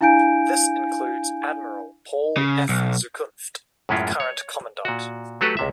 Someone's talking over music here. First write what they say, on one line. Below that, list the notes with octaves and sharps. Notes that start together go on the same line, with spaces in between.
This includes Admiral Paul F. Zukunft, the current Commandant.
D4 E4 F5 G#5 G6 D7
C#3
B1
F#2 A2 G#3 C#4 E4 F4
C#5
A#2 F#4
F#3 A3 F#4 G4 A4 B4
C#2 C3 E5